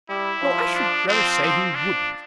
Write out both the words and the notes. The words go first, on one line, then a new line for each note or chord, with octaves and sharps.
'No, I should rather say he wouldn't.
G3 E4
F3
D4
F3 C4
C4
D4